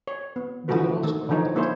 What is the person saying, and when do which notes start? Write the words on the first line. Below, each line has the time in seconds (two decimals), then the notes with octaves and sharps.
They are also crowded.
0.07 C#5
0.36 B3
0.68 D3 E3 F3 A3 F#4 B4
1.03 D#3 A3
1.29 D3 E3 F3 D#4 C#5
1.55 G#3 A#3 E4 C5 C#5